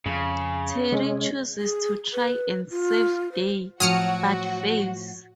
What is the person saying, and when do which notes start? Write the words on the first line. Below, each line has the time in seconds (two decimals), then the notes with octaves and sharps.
Terry chooses to try and save Day but fails.
0.06 F2 C#3
0.92 C3 G#3 C#4
1.60 G#4
2.13 B4
2.71 F4
3.32 C5
3.80 A2 F3 F#3 F#4 D#6 F6 C#7